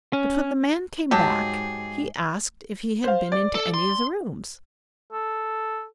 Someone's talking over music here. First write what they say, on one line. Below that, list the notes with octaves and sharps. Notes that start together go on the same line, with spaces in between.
But when the man came back, he asked if he had been into any of the rooms.
C#4
G#2 F#3 G4 G#4 D#5 A5
C5 F5
D5
A4
C6
A4